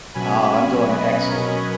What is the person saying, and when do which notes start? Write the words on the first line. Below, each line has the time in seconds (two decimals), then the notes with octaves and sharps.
Ah, I'm doing excellent.
0.14 B2 F#3 C#4 G#5 B5
0.85 B4 D#5
1.21 A#4 C#5